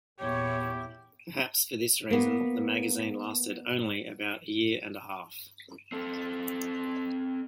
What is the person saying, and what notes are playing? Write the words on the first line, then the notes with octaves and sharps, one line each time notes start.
Perhaps for this reason, the magazine lasted only about a year and a half.
E2 A#2 E4 G4 C#5
A#3 B3
C4 A4